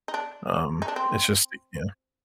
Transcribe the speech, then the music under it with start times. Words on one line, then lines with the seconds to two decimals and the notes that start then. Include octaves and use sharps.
um, and it's just i Yeah.
0.08 D#4
0.14 D4
0.82 D#4
0.88 D4
0.96 C4